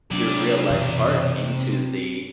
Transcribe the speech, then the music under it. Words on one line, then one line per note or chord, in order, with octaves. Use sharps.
your real-life art into the,
C3 F#3 D4 D5
F#2 B2 E3
C4